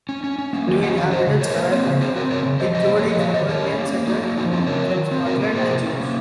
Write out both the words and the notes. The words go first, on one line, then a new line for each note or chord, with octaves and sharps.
New inhabitants arrived, including Pomeranians, settlers from Scotland, and Jews.
C#4
C#4
C#4
A#3
D#3
C#4 D#5 F#5
D#3 C#5 F5
G#3 C5 D#5
C#3
C3 A#4 C#5
A#3
C4
C#3
C4 G#4 C5
C4 F#4 A#4
C#3 A#4 C#5
C#3
F3 C5 D#5
C3 C5 D#5
A#3
C#5
F3 D#5
F#3 C#5 F5
D#3 C5 D#5
D#3 A#4 C#5
C#4
A#3
A#3
A#3 D#4 F#4
F#3
F3 D#4 F#4
C4 C#4 F4
C#3 A#4 C#5
F#3
D#3
C4
C3 F#4 A#4
A#3
C3 G#4 C5
C3
C#4
A#3